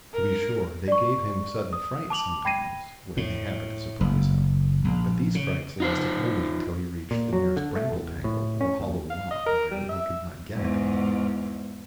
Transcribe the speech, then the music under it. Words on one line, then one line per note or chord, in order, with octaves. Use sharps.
To be sure, they gave him sudden frights sometimes, when they happened to surprise him, but these frights lasted only until he reached the nearest bramble-tangle or hollow log where they could not get at him.
A#4
D5 C#6
D#6
A5 D6 F7 F#7
G5 B5 G#6 A#6 C7 D#7
A2
F#1
A#1
C#3
D#4 F4 C5
A#2
F#3
D3
A3
E2
A2
C#4
D#2
F5
D#5
A#4
G3
E5
E2 G#2